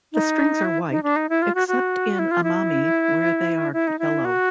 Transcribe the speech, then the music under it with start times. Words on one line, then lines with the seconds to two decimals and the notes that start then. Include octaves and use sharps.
The strings are white, except in Amami, where they are yellow.
0.13 D#4
0.65 E4
0.91 D#4
1.03 D4
1.16 D#4
1.29 E4
1.42 F4
1.55 F#4
1.68 F#4
2.19 E4
2.31 F4
2.44 E4
3.73 E4
3.87 D#4
3.99 E4
4.25 F#4